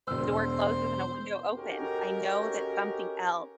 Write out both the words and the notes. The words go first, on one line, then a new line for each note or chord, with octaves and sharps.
door closes and a window opens. I know that something else
E1 C5 E6
C#4 D#4 F#4 G4 A4 A#4